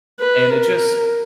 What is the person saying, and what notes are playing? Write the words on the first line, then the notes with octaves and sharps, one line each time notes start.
and it just
B4
A#4